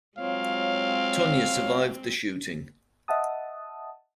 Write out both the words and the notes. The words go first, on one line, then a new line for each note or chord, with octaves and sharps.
Tonya survived the shooting.
F#3 G#3 C4 F4 C#5 F5
D#5 E5 F#5 A5 D#6